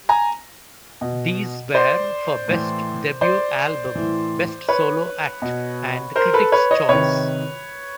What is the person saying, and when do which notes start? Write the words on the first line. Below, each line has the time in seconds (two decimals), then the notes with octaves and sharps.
These were for "best debut album", "Best solo act" and "critics choice".
0.09 G#5 A#5
1.01 B2
1.75 C5 D5
2.48 A2 E3
3.21 C5 D5
3.95 A2 E3
4.69 B4 C#5
5.42 B2
6.16 A#4 C5
6.33 A4 B4
6.52 B4 C#5
6.71 C#5 D#5
6.89 C3 D#3 B4 C#5